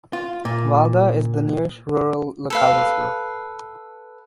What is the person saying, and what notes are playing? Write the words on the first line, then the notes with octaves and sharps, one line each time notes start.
Valga is the nearest rural locality.
F4
A#2
A4 B4 F5